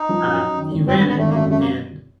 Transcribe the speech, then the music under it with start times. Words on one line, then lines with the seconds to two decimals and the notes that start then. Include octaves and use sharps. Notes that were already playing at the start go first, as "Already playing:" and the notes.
uh, he ran it, and
Already playing: D#4
0.09 F3
0.26 F#2
0.41 F#2
0.57 D#3
0.71 G#1
0.87 G#1 C4
0.98 B3
1.02 D3
1.08 B3
1.18 G#1 A3
1.30 A#3
1.34 F#2 A3
1.50 C#3 A3
1.60 A#3